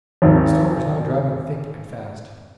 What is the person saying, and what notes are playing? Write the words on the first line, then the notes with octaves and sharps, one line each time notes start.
The storm was now driving thick and fast.
G#1 D#2